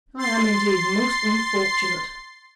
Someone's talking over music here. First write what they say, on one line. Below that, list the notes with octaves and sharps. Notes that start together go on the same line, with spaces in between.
I am indeed most unfortunate.'
C6 A6 C7